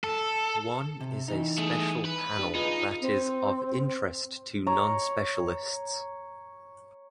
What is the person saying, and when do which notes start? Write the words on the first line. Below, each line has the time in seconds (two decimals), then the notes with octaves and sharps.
One is a special panel that is of interest to non-specialists.
0.04 A4
1.00 C3
1.28 E3 D#4
1.58 A3 G#4
2.05 B4
2.39 D4 G4
2.55 D#4 F4 G#4 B4
3.01 C4
4.67 C#5 A#5